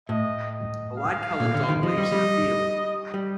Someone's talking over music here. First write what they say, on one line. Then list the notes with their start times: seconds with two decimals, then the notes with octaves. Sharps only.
A light colored dog leaps in a field.
0.09 A2 D#5
0.52 D#5
0.96 F5
1.40 A#2
1.54 D3
1.69 D#3
1.83 F3 D#5
1.98 G3
2.12 G3
3.14 G3